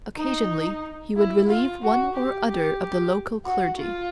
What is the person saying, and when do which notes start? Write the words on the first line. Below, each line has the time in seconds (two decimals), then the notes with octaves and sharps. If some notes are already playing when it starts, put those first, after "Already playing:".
Occasionally he would relieve one or other of the local clergy.
0.17 D#4
1.16 E4
1.48 F4
1.82 F#4
2.14 G4
2.48 G4
2.81 G4
3.45 F#4
3.78 F4